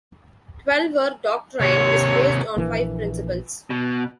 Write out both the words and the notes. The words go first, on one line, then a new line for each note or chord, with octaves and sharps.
Twelver doctrine is based on five principles.
D#2 C3 C#5
A#1 E3 A#3
B2